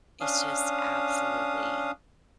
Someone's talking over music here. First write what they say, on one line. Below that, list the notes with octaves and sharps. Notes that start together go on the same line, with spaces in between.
It's just absolutely
C#4 D4 F5 D#6